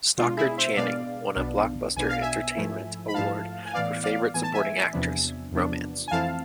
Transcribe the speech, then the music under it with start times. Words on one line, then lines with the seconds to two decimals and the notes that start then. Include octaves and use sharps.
Stockard Channing won a Blockbuster Entertainment Award for Favorite Supporting Actress - Romance.
0.18 B2 G#3 B3 D4 F4
0.37 E4 G#4
0.57 C5 E5
0.77 B2 G#3 B3 D4 D5 F5
1.36 B1 B2 B3 D4
1.96 B1 B2 B3 D4 G#5
2.09 F5
2.22 E5 G#5
2.55 G#2 F3 A3 E4
3.08 B5
3.14 G#2 F3 A3 E4 F5 A5
3.66 G#5
3.74 A2 E3 B3 D5 F5
4.04 D5 F5
4.34 A2 E3 B3 G#5
4.43 A5
4.53 E5 G#5
4.93 E2 C3 F3 B3 D4
5.52 E2 C3 F3 B3 D4
6.08 G#5
6.11 F2 E3 A3 C4 E4 F5 A5